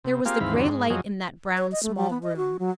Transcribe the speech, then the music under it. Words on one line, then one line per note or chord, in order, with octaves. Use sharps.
There was the grey light in that brown, small room.
C3
A#3 C4 F4 G4 G#4 F5
D#2 G#2 E3 C4 F5 B5
E2 G2 D3 F#3 C4
G#2
F#2 F3 F#3 G#4 D#5
C#5
D#5
A3
G3
B3
D#5
F#4
F#3